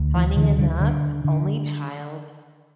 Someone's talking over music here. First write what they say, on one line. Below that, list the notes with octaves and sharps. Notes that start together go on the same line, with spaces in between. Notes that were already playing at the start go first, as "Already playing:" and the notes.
Funny enough, only child,
Already playing: D2
E3
D3 E3
D3 G3
D3
D3